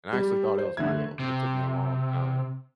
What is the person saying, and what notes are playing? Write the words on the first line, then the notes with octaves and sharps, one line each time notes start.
And I actually thought it was real. It took me a long time
G3
C5
D3 A3 G#6
C3